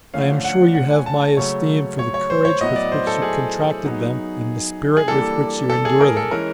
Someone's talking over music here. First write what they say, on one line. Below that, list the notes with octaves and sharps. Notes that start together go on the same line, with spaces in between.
I am sure you have my esteem for the courage with which you contracted them, and the spirit with which you endure them.
D3 F3 A3 C#4 F5
F#5
F#5
G#5
A5
C#3 F#3 A3 C#4 C#5
C#5
C#5
C5
C#5
A2 F#3 B3 E4 D#5
D5
C5
A4
G#4
F#3 B3 D#4
G#4
E3 G3 A#3 D4 A4
A4
G#4
A#4
A4
E3 G#3 C#4 A#4